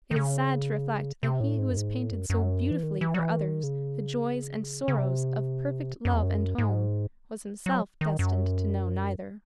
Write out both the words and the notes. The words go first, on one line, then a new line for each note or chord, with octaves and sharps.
It is sad to reflect that he who has painted so beautifully for others the joys and sorrows of perfect love and home, was himself destined to know neither.
D#3
C#3
C3
A2
G#2
F#2
G#2
A2
F#2
F#2
E3
D#3
E3
F#3
E3
D#3
C#3
C#3
C3
F#2
E2
F#2
G#2
F#3
D#3
F#2